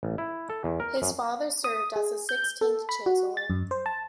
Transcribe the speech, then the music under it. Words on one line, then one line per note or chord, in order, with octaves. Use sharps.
His father served as the sixteenth Chancellor.
A1
E4
A4
E2
A#4
F#2
D#6
G#4
G6
A4
B5
F#4
A6
F#2
C5
A5